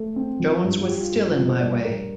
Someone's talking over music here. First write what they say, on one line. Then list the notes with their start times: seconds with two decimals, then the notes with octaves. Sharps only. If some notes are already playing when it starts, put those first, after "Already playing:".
Jones was still in my way.
Already playing: A3
0.16 C4
0.40 F3
0.64 G2
0.78 F4
0.88 G2 G4
1.00 F4
1.12 G2 G4
1.25 F4
1.36 F3 G4
1.49 C5
1.61 G2 D5
1.73 D5
1.85 G2 A#4